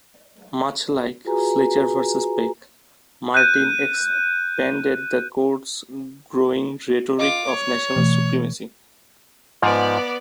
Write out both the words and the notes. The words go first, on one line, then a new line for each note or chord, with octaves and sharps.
Much like "Fletcher versus Peck", Martin expanded the Court's growing rhetoric of national supremacy.
F4 F#4 G#4 B4 G#5 A#5
F#6 G6 D#7
F4 D#5 D6
C#5
B2 E3 A3
G#2 F3 B3 D5